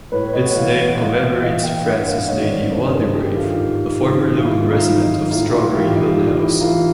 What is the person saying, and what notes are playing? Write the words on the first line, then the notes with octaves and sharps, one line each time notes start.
Its name commemorates Frances Lady Waldegrave, a former local resident of Strawberry Hill House.
A2 B4 C#5
C#5 D#5
F#5
E3 D#5 F5
F#5
A2 D#5 F5
E5 F#5
E3 D#5 F5
F5 G5
G2 E5 F#5
D#5 F5
D#3 C#5 D#5
D#5
C5 D5
G2 A#4 C5
G#4 A#4
D#3 G4 A4
F4 G4
G#2
D#3
F4
G#2 E4
D#4 F4
D#3
D#4 F4
A2 D#4 F4
F4
E4 F#4
E3 F4 G4
D#4 F4
A2
E4
E3 D#4 F4